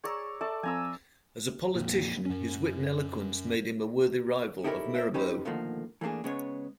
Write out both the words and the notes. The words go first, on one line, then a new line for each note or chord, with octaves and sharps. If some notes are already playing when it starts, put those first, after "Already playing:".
As a politician, his wit and eloquence made him a worthy rival of Mirabeau.
G#4 C#5 D5 A#5 C#6 E6
A4 D5 E5 C#6 D6
F3 C4 G#5 A#5 E6
F2 A#2
F#2 C#4
D#4 E4 G4 A4 A#4 C#5
A#4 C5 E5
C#4 D#4 G4 B4 C5 B5
B2 D3 D#3 F3 A3 A#3
E3 A3 A#3 D4 G#4
C#3 G#3 B3 C#5